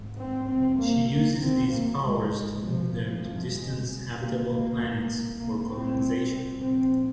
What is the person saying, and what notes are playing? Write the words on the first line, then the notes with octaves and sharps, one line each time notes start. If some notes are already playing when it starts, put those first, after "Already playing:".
She uses these powers to move them to distant habitable planets for colonization.
Already playing: G#1 G#2
C4
F1 F2 C3 C4
A#3
C2 A#2 A#3
C4
A#1 G#2 A#3
G#3
G#1 G#2
F3
F1 F2 C3
F3
C2 A#2 G#3
G#1 G#2 A#3
A#3
C2 A#2
C2 C3 A#3
C4
C2 C3
A#1 A#2 C4